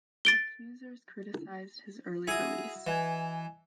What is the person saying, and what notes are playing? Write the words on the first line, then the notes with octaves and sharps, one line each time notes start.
Accusers criticized his early release.
A6 D7 G7
E4 F#4 G#4 D#6
E3 D#5 G#5 G#6